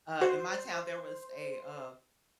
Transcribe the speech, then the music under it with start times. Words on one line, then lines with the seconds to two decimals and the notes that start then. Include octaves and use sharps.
uh, in my town there was a, uh,
0.21 F#4 C5